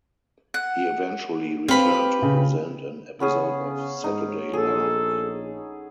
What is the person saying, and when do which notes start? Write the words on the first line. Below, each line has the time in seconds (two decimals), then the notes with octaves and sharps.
He eventually returned to present an episode of "Saturday Live".
0.54 F#5
1.68 C4 G4 B4 F5 B5
2.22 C#3
3.20 C#3 B3 C#4 G#4
4.04 G#2 D#4
4.53 A#1 G#4 A4